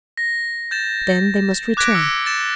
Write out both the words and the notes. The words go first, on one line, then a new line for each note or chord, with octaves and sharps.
Then they must return.
A#6
G6 A6 E7
D6 F#6 G#6 A#6 B6 D7
E6 C#7
A6 E7